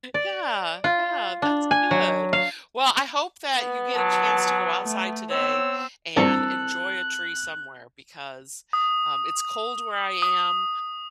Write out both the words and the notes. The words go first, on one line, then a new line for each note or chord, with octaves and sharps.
Yeah, yeah, that's good. Well, I hope that you get a chance to go outside today and enjoy a tree somewhere because, um, it's cold where I am,
D5
F4
D4
G#5
F#3
F5
B3
F#3 A5
A3
B3 C4 C#5 E6
A#1 G2 C4 E4 A4 C5 F#6
D#6
D#6